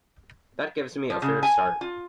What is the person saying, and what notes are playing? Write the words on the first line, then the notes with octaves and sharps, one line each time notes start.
That gives me a fair start.
F3
C#3
G#5
F4